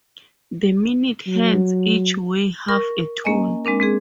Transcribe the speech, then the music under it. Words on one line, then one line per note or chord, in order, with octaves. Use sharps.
The minute hands each weigh half a ton.
F#3
A#4 C#6 A#6
A#3 C#4 D#5 G#5
G#3 C4 D4 A#4
G#3 C4 G#4